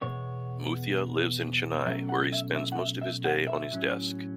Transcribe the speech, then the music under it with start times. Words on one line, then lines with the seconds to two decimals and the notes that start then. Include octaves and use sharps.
Muthiah lives in Chennai where he spends most of his day on his desk.
0.01 E2 B2 G#3 B3 C#5
1.86 B2 F#3 A3 C#4 E5
2.09 F#5
2.32 E5
2.55 E5
2.72 F#5
2.78 E5
3.01 E5
3.25 F#5
3.47 E5
3.71 A2 F#3 C#4